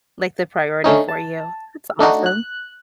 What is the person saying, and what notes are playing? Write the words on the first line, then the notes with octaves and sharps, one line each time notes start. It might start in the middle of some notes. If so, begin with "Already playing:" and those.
Like the priority for you. That's awesome.
D3 A3 C#4 D#4
A5
A3 D4 D#4 F#4
F#6